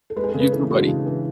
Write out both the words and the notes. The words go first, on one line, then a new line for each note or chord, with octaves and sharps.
You too, buddy.
A4
G#3 B4
G#4
A4
C#3
B4
E3 A4
G#3 F#4
D4
C#3
E3